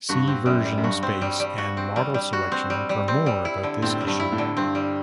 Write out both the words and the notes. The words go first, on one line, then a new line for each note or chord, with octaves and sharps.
See Version space and Model selection for more about this issue.
G2 F#4
C4
F#2 G3
G3
F#2
G2 F#4
C4
G3
G3
F#4
C4
G3
G3
F#4
C4
G3
G3
C4
G3
E4
D3
A2 C4
G3
G2
E4
A2
D3
G2 C4
G3